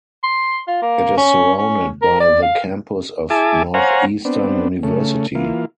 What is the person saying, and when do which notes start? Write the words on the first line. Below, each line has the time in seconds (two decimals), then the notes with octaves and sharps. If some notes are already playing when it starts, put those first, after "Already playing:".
It is surrounded by the campus of Northeastern University.
0.23 C6
0.67 F4
0.82 A#3
1.17 C#4
1.58 C#4
2.02 A#4
2.20 D5
2.42 F5
3.30 E4 G#4 E5 G#5 A5 D6
3.74 C5 C#5 F5 F#5 G#5 A#5
4.25 B3 C4 D4
4.83 C#3 A3
5.35 E3 A#3 F4